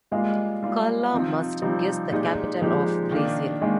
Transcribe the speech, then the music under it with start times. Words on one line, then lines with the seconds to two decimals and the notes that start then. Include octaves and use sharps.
Karla must guess the capital of Brazil.
0.11 G3 G#3 A#3 F4
0.63 G3 A#3 F4
1.12 C3 F3 C4 D#4
1.62 C3 F3 G3 C4 D#4
2.11 A#2 G#3 D#4 G4
2.62 A#2 F3 G#3 D#4 G4
3.11 D#3 A#3 D4
3.62 D#3 G#3 A#3